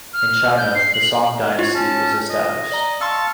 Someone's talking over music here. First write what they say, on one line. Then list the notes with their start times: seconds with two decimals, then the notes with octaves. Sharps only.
In China the Song dynasty was established.
0.14 F6
0.58 G6
0.75 C7
0.94 F#7
1.59 E4 F4 C#5
1.74 C#4 A5
2.29 D#5
2.72 D5 A#5 G7
3.01 F5 A5 C6 C#6 E6